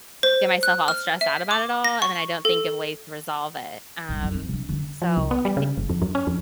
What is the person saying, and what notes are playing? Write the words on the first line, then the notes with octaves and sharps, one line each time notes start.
get myself all stressed out about it all, and then I don't think of ways to resolve it. Um, so I think
C5
F#6
F6
E5
D6
A#6
C#6
A4
A#1 G2
F#2
C4
C3 D4
D3 C#4
F3
C2
B3
G3
C#3
F#1
F2
F#2
C#4
F2